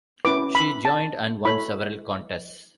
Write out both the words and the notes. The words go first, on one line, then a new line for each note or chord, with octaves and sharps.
She joined and won several contests.
C#4 E4 B4 D6
B5
A5
E4 A4 C#5 B5